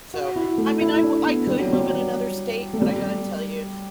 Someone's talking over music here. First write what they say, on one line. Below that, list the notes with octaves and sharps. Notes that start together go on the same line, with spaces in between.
So, I mean, I wou could move in another state, but I got to tell you,
F#4
E4
A3
E4
D4
B3
G3
F#3
G3
A3
G3